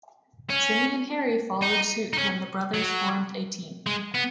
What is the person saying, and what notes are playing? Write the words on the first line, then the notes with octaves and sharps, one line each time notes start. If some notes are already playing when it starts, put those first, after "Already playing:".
Jimmy and Harry followed suit when the brothers formed a team.
C#4
D#4
D#4
C#4
F#3
G#3
B3